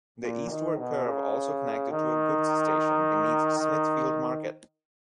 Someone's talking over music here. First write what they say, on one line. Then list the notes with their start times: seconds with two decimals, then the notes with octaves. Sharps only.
The eastward curve also connected to a goods station beneath Smithfield market.
0.22 A#2
0.50 D#3
0.77 B2
1.05 C#3
1.91 D#3
3.58 D#3